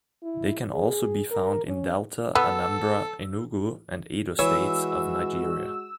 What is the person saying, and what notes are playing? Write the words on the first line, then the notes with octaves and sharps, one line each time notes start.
They can also be found in Delta, Anambra, Enugu and Edo States of Nigeria.
E4
G#4
A#4
C#4
B3 A4 E6
E3 G#3 F#4 C#5 E6